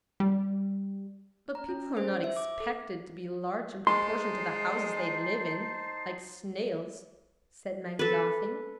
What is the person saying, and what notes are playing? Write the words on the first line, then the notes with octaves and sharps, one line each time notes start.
"But people are not expected to be large in proportion to the houses they live in, like snails," said Maggie, laughing.
G3
A#5
C#4
C5
E5
D6
A4
G#3 D#4 C5 A5 C6 C7
A4 B4